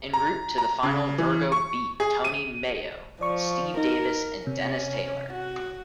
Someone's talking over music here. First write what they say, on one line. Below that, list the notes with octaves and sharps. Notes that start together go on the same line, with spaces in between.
En route to the final Virgo beat Tony Meo, Steve Davis and Dennis Taylor.
A#5
A#5
C#3
E3
C#6
G#4
D#7
F3 D5 C#6
D#4 A#4
C3 C#4
F#4